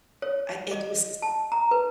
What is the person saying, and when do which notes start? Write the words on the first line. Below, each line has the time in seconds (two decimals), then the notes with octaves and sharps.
I it just
0.22 C#5
0.71 D#5
1.22 A5
1.52 A#5
1.71 B4